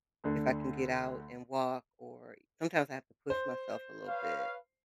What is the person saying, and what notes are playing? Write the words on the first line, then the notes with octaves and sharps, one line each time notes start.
if I can get out and walk or sometimes I have to push myself a little bit,
D2 D3
C5
B4 C#5 F5